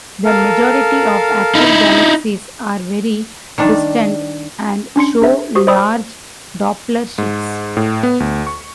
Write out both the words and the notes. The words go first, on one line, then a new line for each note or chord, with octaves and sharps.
The majority of active galaxies are very distant and show large Doppler shifts.
A4 A#4 F5
D#4 E4
D#3 G3 D4
C#4 D4 C6 C#7
D4 G#4 C5 E5
F#4 G4 C5 C#6 D#6
C5 D5 D#5 B5 D#6 E6
G#2
A2
B3
D2
C#6